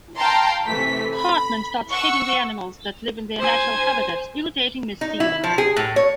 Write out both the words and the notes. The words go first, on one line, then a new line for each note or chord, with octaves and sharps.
Cartman starts hitting the animals that live in their natural habitats, irritating Miss Stevens.
F5 G5 A5 A#5 C6
C3 E3 A3 B6
B5
F#5 C#6 E6
C5 G#5
D#4
E4
F3
G#4
A2
C#5